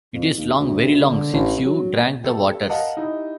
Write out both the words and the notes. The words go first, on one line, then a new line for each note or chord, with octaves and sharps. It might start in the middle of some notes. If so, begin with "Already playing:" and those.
It is long, very long, since you drank the waters.
F2
D#2
D2
D3
A1
F#3
G4 A4 A5
A#4 D#5 F5 F#5 A5
D#4 E4 G4